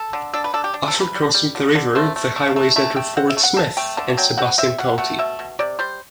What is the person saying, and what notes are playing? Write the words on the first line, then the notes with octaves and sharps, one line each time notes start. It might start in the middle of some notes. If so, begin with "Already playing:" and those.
After crossing the river, the highways enter Fort Smith and Sebastian County.
Already playing: A4
D3
D4 A4
B4
D4 A4
G4
D4
A4
C3
B4
G3
G3
D3
D3
A3 C5
A3
A3
A3
A3 E5
A3 G5
C4 F#5
E5
A3
F#5
C4 A5
A3 G5
D3 A5
F#3 G5
C4 F#5
C4 E5
B2 F#5
A3 F#5
B2 E5
B2
C3 D5
G3 C5